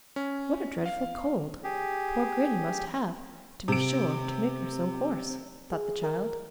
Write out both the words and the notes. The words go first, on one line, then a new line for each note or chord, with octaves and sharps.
"What a dreadful cold poor Grannie must have, to be sure, to make her so hoarse," thought the child.
C#4
F5
G4 G#4
C3 D7
G#4
A#4